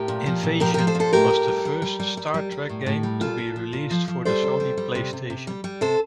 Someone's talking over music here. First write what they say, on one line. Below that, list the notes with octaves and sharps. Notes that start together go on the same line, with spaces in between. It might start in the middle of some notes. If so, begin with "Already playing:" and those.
"Invasion" was the first "Star Trek" game to be released for the Sony Playstation.
Already playing: A2 G4 A#4
A#2
F3
A#2
F3 G4 A#4
F3 G4 A#4
A4 C5
A#2
A4 C5
A2 G4 A#4
A2
G3
G3
G3
G3
G3
G3
G3
A2
A2
G3
A#2 F4 A4
A#2
F3
A#2
F3
F3
G3 A4 C5
C3
G3
G3
C3
C3
C3
G3
G3
C3 A4 C5